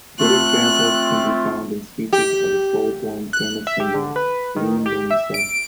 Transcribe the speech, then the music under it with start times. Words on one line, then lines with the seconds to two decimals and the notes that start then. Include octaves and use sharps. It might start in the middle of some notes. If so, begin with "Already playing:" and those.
Good examples can be found in speeches of a Seoul-born famous singer, Lee Mun-se.
0.19 A3 C4 F4 F#6
2.13 G4
3.33 F#6
3.67 E5
3.80 G4
3.94 D3
4.16 B4
4.56 D#3
4.86 G4
5.11 E5
5.34 D7